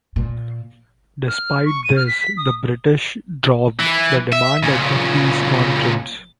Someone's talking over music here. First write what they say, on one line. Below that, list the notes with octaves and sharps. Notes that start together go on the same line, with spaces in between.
Despite this, the British dropped the demand at the peace conference.
A#2
F6
C#6
D#7
F6
B6
B6
D#6
E3
E5
A#2 C#3